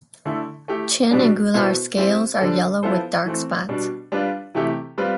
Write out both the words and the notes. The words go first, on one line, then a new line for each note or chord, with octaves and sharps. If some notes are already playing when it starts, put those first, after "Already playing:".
Chin and gular scales are yellow with dark spots.
D3 A3 E4 A4
A3 E4 G4
B2 G3 B3 D4
B2 B3 E4 A4 C5
G3 C4 E4 G4 C5
D3 G3 D4 A4 C5
F3 B3 E4 A4 C5
E3 A3 C4
B2 G3 D4
G3 D4 F4 B4
C3 E3 A3 E4 G4
G3 C4 F4 B4